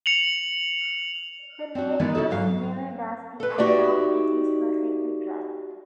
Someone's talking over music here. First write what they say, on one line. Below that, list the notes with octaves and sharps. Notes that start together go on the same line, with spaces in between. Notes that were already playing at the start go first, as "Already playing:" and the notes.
The lane was never dusty, and now it is perfectly dry.
C#7 F7 F#7
C4 F#4
D#3 E3 G#3 B3 E4 D5
C#3 E4 F#4 A4
G#2 F#3 F5
A4 B4
D#4 F#4 G4 D5 E5